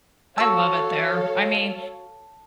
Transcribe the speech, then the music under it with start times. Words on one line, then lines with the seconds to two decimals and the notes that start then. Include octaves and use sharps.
I love it there, I mean
0.38 F#4 A4 C#5 F5 A5 E6